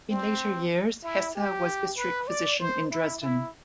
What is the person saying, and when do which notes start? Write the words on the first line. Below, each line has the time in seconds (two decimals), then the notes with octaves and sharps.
In later years, Hesse was district physician in Dresden.
0.10 C4
1.03 E4
1.35 G4
1.98 B4
2.28 D5
2.60 C5
2.91 E4
3.21 E4